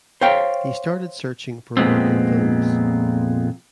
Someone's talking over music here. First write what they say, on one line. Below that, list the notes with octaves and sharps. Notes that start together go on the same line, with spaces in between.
He started searching for work in films.
C5 C#5 F5 G5
F2 A#2 G#3 B3 C4